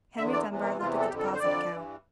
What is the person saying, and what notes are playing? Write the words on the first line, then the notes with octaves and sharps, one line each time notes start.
Henry Dunbar looked at the deposit account.
E2 D3 E5
D5
E2 C3 E3
A#4
E2 C3 E3 F4
A4
F2 D3 G4
A4
A#4
C5
F2 D3 D5
G2 E3